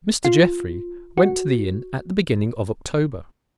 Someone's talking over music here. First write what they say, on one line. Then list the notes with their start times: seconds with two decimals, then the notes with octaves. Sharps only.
Mr. Jeffrey went to the inn at the beginning of October.
0.25 F4
1.18 F#4